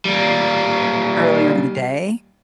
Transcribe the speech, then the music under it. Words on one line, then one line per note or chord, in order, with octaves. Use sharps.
earlier in the day?
G3 A#3